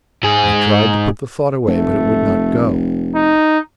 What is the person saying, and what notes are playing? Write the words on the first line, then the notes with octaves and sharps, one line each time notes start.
I tried to put the thought away, but it would not go.
G#2 G#4
F1 A3
D#4